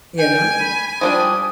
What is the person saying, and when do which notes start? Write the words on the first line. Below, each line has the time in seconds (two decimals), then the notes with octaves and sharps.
you know?
0.19 G5 G#5
0.60 B5
1.01 F3 G3 D4 D#6